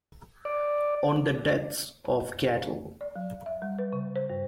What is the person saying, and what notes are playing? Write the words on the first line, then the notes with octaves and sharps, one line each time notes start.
On the Deaths of Cattle.
D5
D5
F#3
E5
G3
B4
C#3
C5
G2